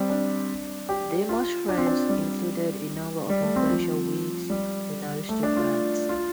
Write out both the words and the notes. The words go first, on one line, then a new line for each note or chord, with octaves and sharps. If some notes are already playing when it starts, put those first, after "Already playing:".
Damer's friends included a number of influential Whigs and aristocrats.
Already playing: G3 C4
D4
G4
F4
D4
C4
D4
G3
G3
A3
C4
F3
G3
A3
D4
F4
F4